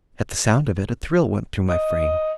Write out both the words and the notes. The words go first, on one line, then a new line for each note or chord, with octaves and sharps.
At the sound of it, a thrill went through my frame.
D#5